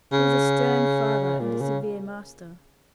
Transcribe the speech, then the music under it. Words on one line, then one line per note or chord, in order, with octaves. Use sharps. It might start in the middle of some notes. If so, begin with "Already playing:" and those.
He was a stern father and a severe master.
C#3
A#2
C#3